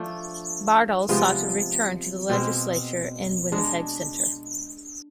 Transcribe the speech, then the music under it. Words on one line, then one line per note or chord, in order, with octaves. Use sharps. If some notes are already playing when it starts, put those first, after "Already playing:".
Bardal sought a return to the legislature in Winnipeg Centre.
Already playing: F3 A3 D4
C3 F3 G#3 B3
B2 G#3 C4
G#3 D4